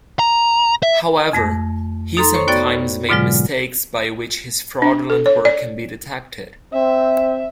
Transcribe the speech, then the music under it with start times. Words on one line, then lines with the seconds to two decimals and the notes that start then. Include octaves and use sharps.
However, he sometimes made mistakes by which his fraudulent work can be detected.
0.19 A#5
0.83 E5
1.33 F2 A3 A#6
2.17 D#4 A4 A#5 C6
2.34 C5 C#5 C#6
2.48 B3 F#4 D5 G5 C#6 A6
3.09 G#2 B2 D3 F#3 G#3 F4
4.82 D4
5.10 A4
5.26 C#5
5.45 D5
6.74 C4 E5